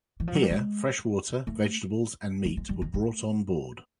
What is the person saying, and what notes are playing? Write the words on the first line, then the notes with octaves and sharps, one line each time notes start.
Here, fresh water, vegetables and meat were brought on board.
E3
F3
F#3
G3
G#3
A3
G#3
G#3
G3
D#3
A3